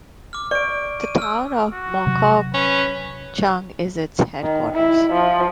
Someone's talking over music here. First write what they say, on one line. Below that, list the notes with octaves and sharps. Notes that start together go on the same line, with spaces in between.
The town of Mokokchung is its headquarters.
D6 F6
D5 C#6 D7
D#7
E6 F6
F#4
C3 F#3
C#4 B4
D#3
E4
F3